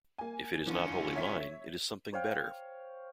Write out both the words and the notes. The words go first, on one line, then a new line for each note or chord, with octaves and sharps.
If it is not wholly mine it is something better.
A#3 G#5
D3 E3 C#4 F4
C#5 E5 B6
C5 C#5 F5 G5